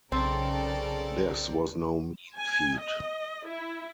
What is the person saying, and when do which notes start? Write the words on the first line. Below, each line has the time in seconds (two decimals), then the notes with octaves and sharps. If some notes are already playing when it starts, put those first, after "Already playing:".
This was no mean feat.
0.12 B1 C#3 C4 A4 A#4 D5
2.37 G#5
2.79 D#5
3.47 E4